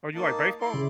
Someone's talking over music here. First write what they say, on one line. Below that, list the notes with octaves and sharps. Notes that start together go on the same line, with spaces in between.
Oh, you like baseball?
A#3 D#4 A5
E4 D5 C6
C#3